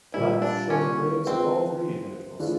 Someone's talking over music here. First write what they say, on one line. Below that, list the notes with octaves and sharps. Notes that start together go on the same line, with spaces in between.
Plaques show the graves of all three individuals.
A#2 G3 A#3 E4
D4
C#4
F3 G#3 B3 C4
E3 A3 D4 F4 G#4